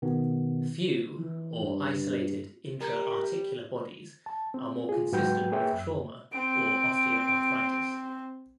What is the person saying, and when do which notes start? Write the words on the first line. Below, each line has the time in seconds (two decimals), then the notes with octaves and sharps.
Few or isolated intra-articular bodies are more consistent with trauma or osteoarthritis.
0.02 B2 D#3 B3
1.19 E3
1.61 G2
2.81 G3 A#4
4.26 A5
4.54 C4
4.89 F4 G#4
5.12 G#2 F#3 F#4 B4 G5 G6
5.52 A#3 G#4 B4 C#5 E5 G5
5.73 F#2
6.32 C4 D7